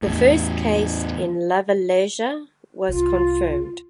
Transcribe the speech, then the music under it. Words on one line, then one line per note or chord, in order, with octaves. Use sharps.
The first case in Lavalleja was confirmed.
E2 A2
C2 F4